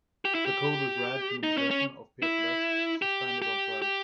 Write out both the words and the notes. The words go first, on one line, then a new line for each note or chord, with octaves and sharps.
The code was read from the position of paper discs suspended on threads.
G4
E4
G4
D#4
C#4
C#4
E4
G4
G4
G4